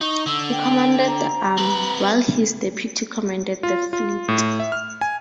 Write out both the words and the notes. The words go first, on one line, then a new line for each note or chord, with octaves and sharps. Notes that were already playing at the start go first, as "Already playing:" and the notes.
He commanded the army, while his deputy commanded the fleet.
D#4 C#6
D3 E6
G5
A#5
C4 B4
F4
F4
A2
E5
F6
G#5